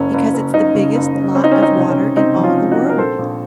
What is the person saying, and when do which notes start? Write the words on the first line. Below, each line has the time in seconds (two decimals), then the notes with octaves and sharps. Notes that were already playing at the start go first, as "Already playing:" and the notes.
"Because it's the biggest lot of water in all the world."
Already playing: F#1 F#2 C#4
0.14 F#1
0.34 F#1
0.54 F#1 D#4
0.75 C#3
0.95 F#1
1.15 C#3
1.35 C4 C#4
1.44 D#4
1.51 C#4
1.55 C4
1.62 D#4
1.76 C3 D#4
1.90 C#4
1.97 C4
2.16 C4 D#4
2.37 F3
2.43 C#4 F4
2.58 C4
2.71 D#4 F#4
2.77 C4
2.89 A#4
2.98 A#1 A4 C5
3.18 A#1